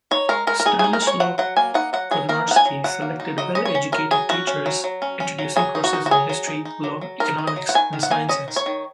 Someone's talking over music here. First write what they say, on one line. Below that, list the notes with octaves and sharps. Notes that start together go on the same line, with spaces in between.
Stanislaw Konarski selected well-educated teachers, introducing courses in history, law, economics and sciences.
D#4 C#5
G#3 A#4
G#3 A#4
A#4
D#4 G#4
D#4 G#4
A#4
G#3
C#5
F#3 F#5
F#3 F#5
A#3 G#5
D#4 F#5
F#3 F#5
F#3 G#4
A#3 A#4
D#4 F#5
G#5
F#3
F#3 F#5
A#3
D#4
F#3 D#5
C#4 D#5
C#5
C#4
F#3 A#4
F#3 G#4
C#4 F#4
C#4
F#3
F#3
C#4
C#4
F#3
F#3 G#4
D#4
F#4
D#4
F#4
F#3 G#4
F#3
D#4
D#4
F#3
F#3
D#4 A#4
D#4
D#5
F#3
F#5
D#3 G#5
D#3
F#5
A#3 G#5
C#4 D#5
D#3
C#5
D#3